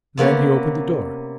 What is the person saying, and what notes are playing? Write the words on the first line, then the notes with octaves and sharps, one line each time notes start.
Then he opened the door.
C3 A#3 B3 C#4